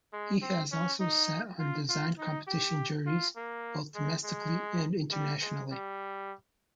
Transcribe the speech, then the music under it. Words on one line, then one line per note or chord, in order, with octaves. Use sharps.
He has also sat on design competition juries, both domestically and internationally.
G#3
C4
C#4
D#4
F4
F4
D#4
G4
F4
A#3
G#3
G#3
G3
G#3
G3